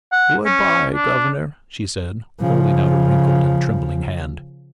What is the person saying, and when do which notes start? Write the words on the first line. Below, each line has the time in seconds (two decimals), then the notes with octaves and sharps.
"Good-bye, governor," she said, holding out a wrinkled and trembling hand.
0.12 F#5
0.46 C#4
0.95 D4
2.41 C#3 F3